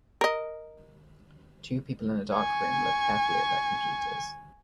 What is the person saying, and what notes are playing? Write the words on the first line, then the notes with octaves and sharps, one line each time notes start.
Two people in a dark room look carefully at their computers.
A#4 D#5
G#5 C#6